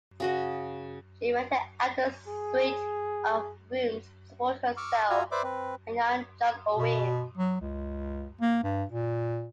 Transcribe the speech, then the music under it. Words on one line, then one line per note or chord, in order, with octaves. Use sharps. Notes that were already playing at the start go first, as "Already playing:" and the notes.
She rented out a suite of rooms to support herself and young John Owen.
C#3 F#4 D#5
G#4
C#6 D6 E6 F6
F4 F#4 E5 F5 G#5 A#5
B4 C5 D5 E5 D6
C4 B4
B2
F#3
C#2
A#3
G2
A#2